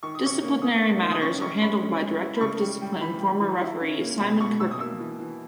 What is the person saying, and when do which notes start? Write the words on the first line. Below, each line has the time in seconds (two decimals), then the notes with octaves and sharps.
Disciplinary matters are handled by Director of Discipline and former referee Simon Kirkham.
0.03 D#3 C#6
0.15 D#6
0.23 C#4 C#6
0.43 A#3
0.62 A#3 D#6
0.82 A#3
1.03 D#3
1.11 D#6
1.22 C#4 C#6
1.42 C#4 C#6
1.62 G#3 B5
1.81 C#4
2.02 G#3
2.22 E4
2.37 B5
2.41 C#3 C#6
2.61 G3
2.81 G3
3.01 E3 B5
3.20 G3
3.41 E3
3.61 E4
3.81 C#4
4.01 A#3
4.20 B2 B5
4.40 B2 C#6
4.60 B2 E6
4.71 D#6
4.80 A#3 E6
5.00 E3
5.20 E3